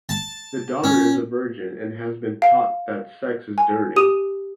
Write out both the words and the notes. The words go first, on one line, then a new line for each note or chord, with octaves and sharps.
The daughter is a virgin and has been taught that sex is dirty.
A5
C#4
F5
G#5
G4 D#6 D#7